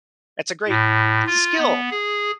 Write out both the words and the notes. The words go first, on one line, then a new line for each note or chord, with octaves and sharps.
That's a great it's a skill.
A2
F4
B3
G#4